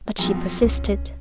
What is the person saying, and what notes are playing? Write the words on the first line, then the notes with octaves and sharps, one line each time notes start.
But she persisted.
B1 F2 B2
C2 C#4